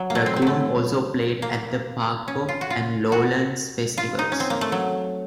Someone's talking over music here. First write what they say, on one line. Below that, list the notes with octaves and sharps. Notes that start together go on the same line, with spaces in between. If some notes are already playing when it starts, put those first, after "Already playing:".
Racoon also played at the Parkpop and Lowlands festivals.
Already playing: F#3
A#3
A3
C4
C4
F#3 A3
A#3
C#4
F4
F#4
F4
F#4
F4
D#4
C#4
C4
A#3
A3
F#3